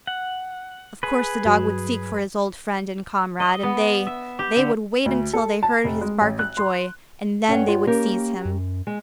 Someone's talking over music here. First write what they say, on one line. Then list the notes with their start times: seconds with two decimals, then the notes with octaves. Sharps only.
Of course the dog would seek for his old friend and comrade, and they--they would wait until they heard his bark of joy, and then they would seize him.
0.07 F#5
1.03 G#4 B4
1.45 G2 F#3
3.40 D#5
3.63 B3
4.07 E5
4.39 G4
4.56 D3
5.06 D2
5.33 A4
5.63 A5
5.84 F1
6.01 G#3
6.21 A1
6.39 F#6
6.57 C6
7.49 G2 C#4 C#5 F#5
7.68 F4
7.87 A#3 C#4 G4 A#4
8.45 F#2
8.87 G#3